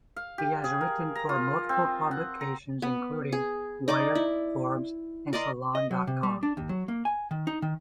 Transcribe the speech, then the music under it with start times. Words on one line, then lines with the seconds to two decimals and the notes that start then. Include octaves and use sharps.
He has written for multiple publications including "Wired", "Forbes", and Salon dot com.
0.16 F5
0.38 G4
0.64 G#4
0.81 A#4
1.15 A#5
1.29 F4
1.69 C4
2.11 F#5
2.41 A#5
2.82 B3
3.32 G#4
3.88 D#4 D5 D#5 D6
4.15 E4
5.33 A#4 D5 D#5 C6
5.75 D#5
5.91 F#3
6.07 C3
6.23 G3
6.43 D4
6.57 D#2
6.69 F#3
6.88 A#3
7.05 G#5
7.31 D#3
7.47 D#4
7.62 D#3